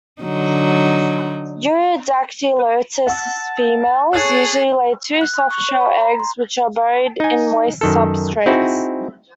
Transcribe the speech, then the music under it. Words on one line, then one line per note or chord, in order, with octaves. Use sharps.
"Eurydactylodes" females usually lay two soft-shelled eggs which are buried in moist substrates.
D3 F#3 D#4
F#5 A5 E6
G#4 A4 C#5 A5 F#6 A6
F#6
F#6
C#6
C#5
B5
A#5
C6
D#4 G#5
F#2 D#3 A4
C4 D#4 E4 F#4 G#4